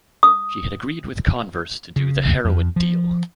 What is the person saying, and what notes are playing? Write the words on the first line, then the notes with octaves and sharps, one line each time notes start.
She had agreed with Converse to do the heroin deal.
D#6
C#3
F2
F3